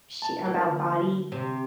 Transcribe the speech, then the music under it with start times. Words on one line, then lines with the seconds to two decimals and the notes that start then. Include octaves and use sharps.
sh about body
0.22 A5
0.45 A#3
0.70 D3
1.32 C3